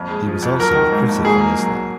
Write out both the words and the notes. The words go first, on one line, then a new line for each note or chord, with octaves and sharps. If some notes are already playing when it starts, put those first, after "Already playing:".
He was also a critic on Islam.
Already playing: A#1 F2
G#3
F3
F2
F#3 A#4
D#3
G#2
A#1
G#2 G#4
A#3
F#3